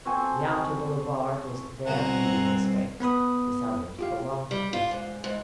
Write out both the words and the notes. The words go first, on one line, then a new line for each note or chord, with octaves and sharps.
The outer boulevard is their breathing space; the suburbs belong to them.
C4 F#4 A4 G#5
C2 B2 C4 F#4 F#5 G#5 A#5
B3 B4 B5 D#6
F4 G4 F5
G3
F4
G#2
G#2